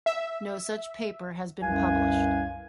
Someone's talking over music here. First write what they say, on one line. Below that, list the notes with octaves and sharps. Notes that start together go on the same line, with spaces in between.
No such paper has been published.
E5
C2 F#2 B4 F5 G#5